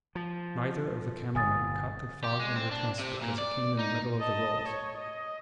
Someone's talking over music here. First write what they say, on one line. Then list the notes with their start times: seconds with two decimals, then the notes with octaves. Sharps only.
Neither of the camera men caught the fog in their tests because it came in the middle of the rolls.
0.15 F3
1.35 G1 G#5 D#6 A6
2.24 G4
2.40 G#3
2.56 C4
2.71 D4
2.99 C3
3.22 A#2
3.38 D5
3.79 D#4
4.19 D#5 A5
4.69 C#5
4.98 D#5